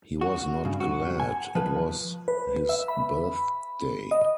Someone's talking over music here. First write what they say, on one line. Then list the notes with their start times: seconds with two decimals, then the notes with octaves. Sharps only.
He was not glad it was his birthday.
0.21 F#4
0.65 G2 C#3
0.80 F#4
1.20 G#5
1.55 F3 B4
2.28 B4
2.69 E5
2.88 B5
4.11 D#5